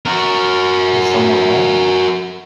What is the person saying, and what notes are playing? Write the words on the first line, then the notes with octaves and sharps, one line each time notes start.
Is someone there?
F#4 A#4